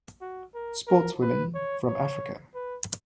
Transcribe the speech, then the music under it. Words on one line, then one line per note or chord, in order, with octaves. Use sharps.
Sportswomen from Africa.
F#4
A#4
A#4
B4
C#5
C#5
B4